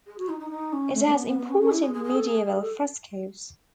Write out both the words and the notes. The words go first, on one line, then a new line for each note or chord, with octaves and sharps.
It has important medieval frescoes.
G#4
F#4
D#4
D#4
D#4
C#4
A3
A3
C#4
B3
B3
B3
C#4
C#4
E4
G#4
G#4
G#4
A4
G#4
A4